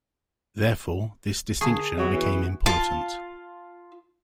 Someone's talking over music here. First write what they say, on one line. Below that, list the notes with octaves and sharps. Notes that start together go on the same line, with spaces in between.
Therefore, this distinction became important.
D3 G#4 A5 C#6
F#3 B3 F#4 E5
E3
F4 A5